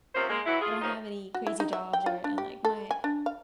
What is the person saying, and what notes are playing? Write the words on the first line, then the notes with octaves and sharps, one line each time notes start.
I don't have any crazy jobs or and, like, my
C3 F3 A#3 C#4 C5
G#3 A#3
E3 F#3 E4
F4 G#4
D#3 F3 D#4 C#5 D#5
F#4
E4
D#4
E5
G5
F4
D4
G4
A4
G#5
D4
F5